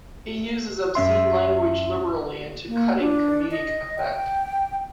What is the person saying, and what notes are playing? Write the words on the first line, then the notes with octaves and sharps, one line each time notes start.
He uses obscene language liberally and to cutting comedic effect.
F#2 C#4 E5 C6
A#3
D4
D#5
G5